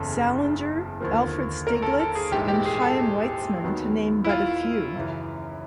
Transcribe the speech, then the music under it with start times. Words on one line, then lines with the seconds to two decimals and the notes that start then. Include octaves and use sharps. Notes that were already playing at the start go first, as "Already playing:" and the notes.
Salinger, Alfred Stieglitz, and Chaim Weizmann, to name but a few.
Already playing: F#1 E2 C#3 A4
1.01 D#2 D3 F3 A#3
1.67 A#4
1.82 A4
2.00 A4
2.15 G#4
2.32 A#1 G#2 E3 G#3 G4
2.48 G4
2.66 G#4
2.82 A4
3.63 D#2 D#3 F#3 B3
4.24 E4
4.29 F4
4.96 F#2 C#3 E3